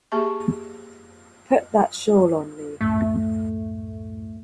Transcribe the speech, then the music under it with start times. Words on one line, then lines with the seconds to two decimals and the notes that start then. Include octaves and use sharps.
Put that shawl on me.
0.12 A#3 G4 G#4 E5 A5 C#6
2.81 C#2 F#2 A2 A3